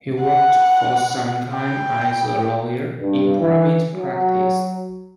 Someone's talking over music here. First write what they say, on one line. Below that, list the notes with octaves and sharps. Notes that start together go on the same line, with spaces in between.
He worked for some time as a lawyer in private practice.
F#5
G5
G2
E3
F#3